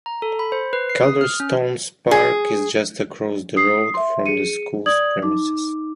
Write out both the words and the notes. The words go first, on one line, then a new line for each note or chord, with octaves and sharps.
Calderstones Park is just across the road from the school's premises.
A#5
A4
B5
C5
B4
C7
D#6
F6
C#4
G#4
D#6 C7
E5 C6
G#4 C#7 D#7
D5 D#6 G#6 F#7
D#4 D6